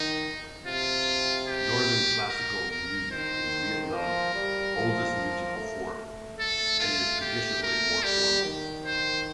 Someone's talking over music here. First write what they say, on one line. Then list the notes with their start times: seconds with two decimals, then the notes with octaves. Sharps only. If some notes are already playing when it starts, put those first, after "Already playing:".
Northern classical music is Vietnam's oldest musical form, and is traditionally more formal.
Already playing: D#3 D#4
0.66 C3 F4
1.48 G4
2.30 A#4
2.71 A#4
3.12 D#3 C5
3.93 F3 A#4
4.35 G3
4.75 F3
5.57 A3
6.39 A3 A4
6.80 F4
7.21 G4
7.63 A#4
8.03 G3 G4
8.44 D#3
8.86 C5